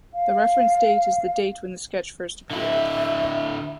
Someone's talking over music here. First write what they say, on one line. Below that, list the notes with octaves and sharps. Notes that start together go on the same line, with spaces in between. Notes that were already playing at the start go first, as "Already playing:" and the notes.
The referenced date is the date when the sketch first appeared.
F5
D3 E4 E5